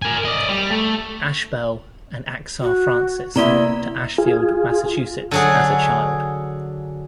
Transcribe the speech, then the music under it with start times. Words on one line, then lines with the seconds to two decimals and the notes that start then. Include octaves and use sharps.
Ashbel and Achsah Francis, to Ashfield, Massachusetts as a child.
0.02 A#4 G#5
0.25 D5 D#5
0.48 G3
0.70 A3
2.60 F#4
3.36 C3 A#3 B3 E4 D5 A#5
4.18 F4 G#4
5.31 D3 F#3 G#4